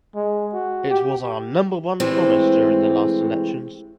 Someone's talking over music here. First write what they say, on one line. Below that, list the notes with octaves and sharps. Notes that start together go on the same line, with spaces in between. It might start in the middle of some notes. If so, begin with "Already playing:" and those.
It was our number one promise during the last elections.
G#3
F#4
G4
C3 E3 G#3 A3 C4